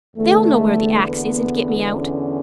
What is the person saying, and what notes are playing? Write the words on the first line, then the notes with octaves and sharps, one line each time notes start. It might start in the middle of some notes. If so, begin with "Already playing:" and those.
They'll know where the axe is and get me out.
E2 D3 A3
B3
C#4